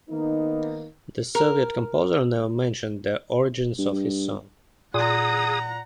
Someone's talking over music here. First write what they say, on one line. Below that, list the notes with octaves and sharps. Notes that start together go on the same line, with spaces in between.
The Soviet composer never mentioned the origins of his song.
D#3 A#3 B3 D#4
A#4
G2
A#2 G#4 F#5 A#5 D#6